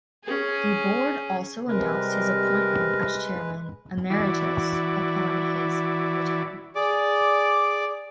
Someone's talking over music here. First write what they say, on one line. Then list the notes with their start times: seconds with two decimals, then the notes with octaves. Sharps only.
The board also announced his appointment as chairman "emeritus" upon his retirement.
0.24 C#4 G#4
1.68 C3 G3 G#3 A#4 B4
4.10 E3 E4 F#4 D5
6.75 G#4 D5 D6